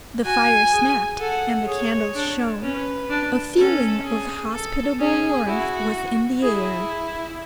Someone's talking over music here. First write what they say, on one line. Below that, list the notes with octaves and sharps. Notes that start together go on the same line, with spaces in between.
The fire snapped and the candles shone; a feeling of hospitable warmth was in the air.
F#4 G#5
G#4
A4 F#5
G#4 C#5
D4
C#4 B4
D4
C#4 A4
G#4
A4
C#4 G#4
E4 F#4
E4 G#4